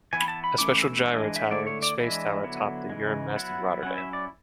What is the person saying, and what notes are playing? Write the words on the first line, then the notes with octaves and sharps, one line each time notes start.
A special gyro tower is the Space Tower atop the Euromast in Rotterdam.
E3 B3 E4 G#5
B5
A5
B5
E3 A3 C#4 E4 D6
E6
E3 G#3 D4 E6
E5
D3 A3 E4 D5
C#5
D5
E3 G#3 D4 E5
D3 F#3 B3 E4
C#3 E3 G#3
F#3 B3 E4 F#5
F#3 C#4 E4 F#5
E5
D5